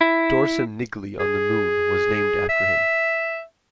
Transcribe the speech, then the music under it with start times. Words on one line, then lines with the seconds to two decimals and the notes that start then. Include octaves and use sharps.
Dorsum Niggli on the Moon was named after him.
0.01 E4
1.19 G#4
2.49 E5